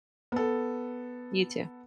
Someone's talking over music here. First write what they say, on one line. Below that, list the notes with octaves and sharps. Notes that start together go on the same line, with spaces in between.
You too.
B3 A4